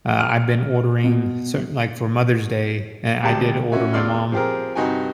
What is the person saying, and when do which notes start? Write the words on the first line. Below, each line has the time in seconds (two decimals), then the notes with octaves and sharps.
ah, I've been ordering certain like, for Mother's Day, eh, I did order my mom
0.20 F6
1.04 B2
3.23 G#1 D2 G3 G4 A5
3.72 C#4 E4 F#4
3.93 E2 F4 D5 C6 E6 F6
4.32 F3 C4 G4 G#4 A#4
4.75 G2 C3 D#4 F#4 G5 G#5